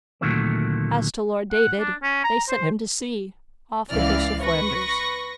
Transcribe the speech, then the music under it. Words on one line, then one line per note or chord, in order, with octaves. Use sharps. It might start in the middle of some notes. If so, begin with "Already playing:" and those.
As to Lord David, they sent him to sea, off the coast of Flanders.
D2 A#2 D#3 F#3 A3 C4
F#5
D4
C#4
A#5
C5
C#2 E3 E4 D5 F5 F6
B4 C#6 A#6